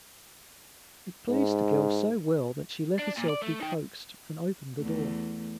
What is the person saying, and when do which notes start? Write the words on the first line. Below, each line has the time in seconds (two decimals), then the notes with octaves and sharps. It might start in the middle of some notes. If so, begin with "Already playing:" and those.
It pleased the girl so well that she let herself be coaxed and opened the door.
1.30 G#2
2.99 D4
3.17 A#2
3.29 D5
3.42 A3
3.61 D#4 G5
4.77 E2 A3